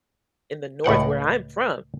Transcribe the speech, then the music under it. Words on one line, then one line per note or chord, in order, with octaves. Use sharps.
in the North where I'm from.
C#2 A2 F#5 G5